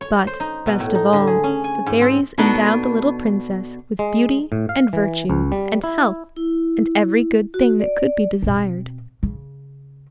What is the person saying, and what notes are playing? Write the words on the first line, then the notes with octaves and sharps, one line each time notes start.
But, best of all, the Fairies endowed the little Princess with beauty, and virtue, and health, and every good thing that could be desired.
C#5
C5
D#4
B2
A2
D#4
D3
G#4
C#4
G#5
G#2
C4
B2 B3 D4 D#4 A4
G#3
A2
F5
E3
C#2
G3
E4
E4
F#4
D5
B2 C4
C#3